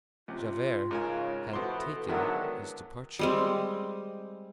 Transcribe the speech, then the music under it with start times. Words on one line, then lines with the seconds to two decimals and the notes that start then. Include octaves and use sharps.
Javert had taken his departure.
0.28 C#2 C3 F4
0.91 G#2 C#3 A#4 G#5
1.53 B2 E3 B3 C4 A4 C6
2.08 D3 D#3 F#3 G#3 B3 E4 A#4
3.19 G3 G#3 C4